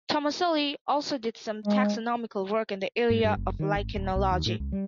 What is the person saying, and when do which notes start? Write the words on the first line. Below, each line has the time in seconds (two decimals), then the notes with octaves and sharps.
Tomaselli also did some taxonomical work in the area of lichenology.
1.66 G#3
3.10 G#2
3.24 G2
3.37 F#1
3.59 D#3
3.76 G#1
3.96 D#1
4.16 B1
4.31 D#2
4.46 A2
4.60 C#2
4.72 G3